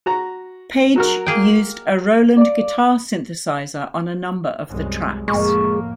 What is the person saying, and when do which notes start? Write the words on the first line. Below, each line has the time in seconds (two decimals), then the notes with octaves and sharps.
Page used a Roland guitar synthesizer on a number of the tracks.
0.06 F#4 A#5
0.96 F#3 F#4 A#4
1.26 A#3 G#4 G5
2.37 D5 F5 D6
4.69 C2 F#2 G#3
5.28 F2 A2 G#3 A#3 C#6